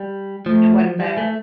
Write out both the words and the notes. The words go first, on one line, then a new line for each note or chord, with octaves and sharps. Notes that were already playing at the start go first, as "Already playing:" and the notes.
And it wasn't bad.
Already playing: G3
F3 A3
G3
A3